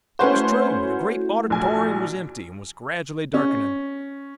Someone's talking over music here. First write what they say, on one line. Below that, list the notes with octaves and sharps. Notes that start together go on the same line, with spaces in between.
It was true, the great auditorium was empty, and was gradually darkening.
A3 C#4 E4 F#4 B4 C5
A#1 G#5
C#4